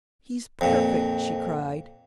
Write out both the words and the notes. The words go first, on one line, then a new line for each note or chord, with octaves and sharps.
'He's perfect!' she cried.
F2 A#2